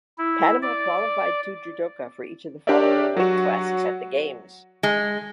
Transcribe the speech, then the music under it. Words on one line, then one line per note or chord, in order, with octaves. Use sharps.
Panama qualified two judoka for each of the following weight classes at the Games.
E4
D5
D4 G4 A#4 C#5 D5 E5
F#3 F#4
G#3